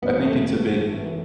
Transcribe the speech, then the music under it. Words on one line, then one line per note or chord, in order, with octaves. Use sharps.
I think it's a bit,
G#1 F#2 C#3 E3 B3
A3
F#2 E3 B3